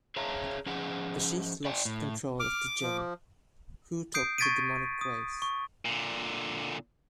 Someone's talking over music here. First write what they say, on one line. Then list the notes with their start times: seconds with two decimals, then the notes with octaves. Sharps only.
The sheikh lost control of the jinn, who took to demonic ways.
0.16 G#4 C#5 E5 F5 A5 A#5
0.66 F3 C#4 G#4 F#5 G#5
1.65 D5 G5 G#5
1.85 A2
2.40 D6 F6
2.81 F3
4.14 D#6 G6 C7 D7
4.38 C#6 G#6 A6 B6 D7 D#7
5.01 D#6
5.42 C#6
5.85 A#2 D3